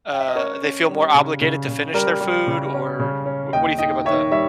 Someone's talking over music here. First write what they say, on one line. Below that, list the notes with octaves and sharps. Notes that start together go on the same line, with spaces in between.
uh, they feel more obligated to finish their food or wh what do you think about that?
G5
E5
D#5
C#4 A#4 C#5
C#4
G3
C#3
C#3
C#3
G3 A#4
G3
C#3
C#4
C#3
C#4
D#2 D#5 G5
D#3 D#5 G5
D#3 C#5 E5
G3 C#5 E5